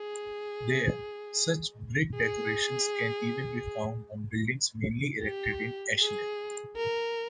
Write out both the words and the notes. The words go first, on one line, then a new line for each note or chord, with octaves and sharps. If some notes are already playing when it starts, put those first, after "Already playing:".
There, such brick decorations can even be found on buildings mainly erected in ashlar.
Already playing: G#4
G#4
G4
G#4
A#4